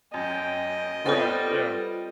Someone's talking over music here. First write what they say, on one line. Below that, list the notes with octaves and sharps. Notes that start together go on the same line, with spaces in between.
Right, yeah.
F#2 D#5 G5
G3 B3 C4 F4 A4 G5